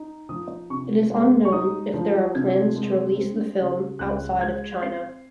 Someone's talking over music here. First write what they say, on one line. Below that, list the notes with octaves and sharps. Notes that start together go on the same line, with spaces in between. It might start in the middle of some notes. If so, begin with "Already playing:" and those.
It is unknown if there are plans to release the film outside of China.
Already playing: D#4
F3 D#6
C3 C#6
G#3
C#6
D#4 D#6
F3
C3 G#6
G#3
C4
C#3
C#2 F#6
G#3 G#6
C4 C7